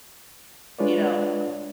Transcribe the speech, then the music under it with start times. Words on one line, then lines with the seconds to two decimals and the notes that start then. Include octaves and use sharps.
You know?
0.79 G#3 D4 F4 B4 C#5 D5